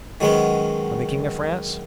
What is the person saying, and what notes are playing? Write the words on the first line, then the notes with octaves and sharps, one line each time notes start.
"From the king of France?"
D#3 F#3 G#3 B3 C#4